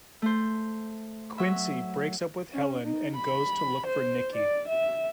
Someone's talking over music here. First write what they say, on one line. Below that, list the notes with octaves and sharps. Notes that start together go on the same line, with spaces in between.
Quincy breaks up with Helen and goes to look for Nicky.
A3 C5
F#3 E5
C#4
D#4
B5
C5
D5
E5